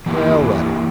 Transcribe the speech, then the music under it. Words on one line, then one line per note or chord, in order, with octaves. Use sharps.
"Well, let him."
E3 A#3 E4 G4